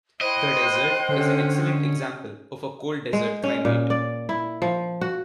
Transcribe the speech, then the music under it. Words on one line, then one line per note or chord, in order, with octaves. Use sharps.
The desert is an excellent example of a cold desert climate.
E4 C5 D#5 G5 F#6
D3 C#4
G#3
C#4
A#2
D5
E4
F3
F#4